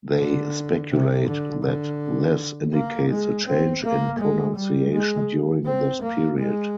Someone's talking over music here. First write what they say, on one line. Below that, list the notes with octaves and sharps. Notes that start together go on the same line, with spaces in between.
They speculate that this indicates a change in pronunciation during this period.
D3
C3
D3
D3
A#3
G#3
C4
A#3
G#3
G3
G#3
C4
A#3
G#3